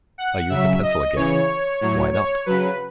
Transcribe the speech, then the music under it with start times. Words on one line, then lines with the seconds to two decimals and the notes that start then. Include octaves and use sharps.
I used the pencil again: "Why not?"
0.18 F#5
0.50 C#3 E5
0.55 F#3
0.82 D#5
1.16 C#3 E3 C#5
1.81 A2 F#3
2.13 C#5
2.46 C#3 F#3 B4